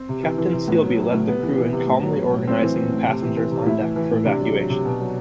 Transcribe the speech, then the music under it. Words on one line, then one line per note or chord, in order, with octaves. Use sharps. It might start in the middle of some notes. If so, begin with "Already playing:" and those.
Captain Sealby led the crew in calmly organizing the passengers on deck for evacuation.
Already playing: C4
C3
E3
E3
C3
A2 B3
F#3
F#3
A2
C3 B3
E3
E3
C3
A2
F#3
F#3
A2
A2 C4
E3
E3
A2
C3
E3
E3
C3
A2 E4
E3
E3
A2
C3 D4
F#3
F#3
C3
B2
F#3